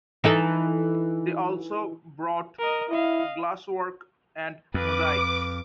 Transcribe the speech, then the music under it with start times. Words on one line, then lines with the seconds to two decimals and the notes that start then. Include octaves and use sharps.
They also brought glasswork and mosaics.
0.24 E3 D#4 A4
2.59 A#4 D#5
2.89 E4 D#5 F5
4.74 F2 B4 D6